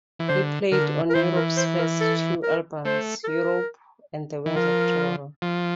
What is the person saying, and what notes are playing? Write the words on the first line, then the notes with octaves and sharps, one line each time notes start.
He played on Europe's first two albums, "Europe" and "Wings of Tomorrow".
E3
D3 C5
D3 A#4
A#4
E3 C5
A#4
C5
A#4
A4
A#4
A3 C5
A4
A#4
E3
F3 A#4
F3